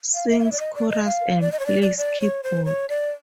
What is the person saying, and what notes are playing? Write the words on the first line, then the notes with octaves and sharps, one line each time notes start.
Sings chorus and plays keyboard.
F5
E5
F5
E5
D5
D#5
D5
D#5
F5
D5
D#5
C#5
D5
D5
D5
C#5
C5
C#5
D5